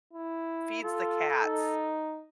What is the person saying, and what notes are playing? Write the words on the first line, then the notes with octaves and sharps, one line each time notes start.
feeds the cats
E4
F4 A4
D#4